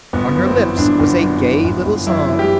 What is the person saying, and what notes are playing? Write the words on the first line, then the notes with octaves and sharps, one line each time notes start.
On her lips was a gay little song.
G1 B3
F#2
C4
E3
G1 D4
G1
F#2
E3
G1
G1
F#2 E4
E3
G4